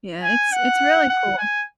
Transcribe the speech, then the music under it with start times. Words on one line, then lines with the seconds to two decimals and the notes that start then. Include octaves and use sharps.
Yeah, it's it's really cool.
0.23 G#5
0.52 F#5
1.09 F#5
1.38 G#5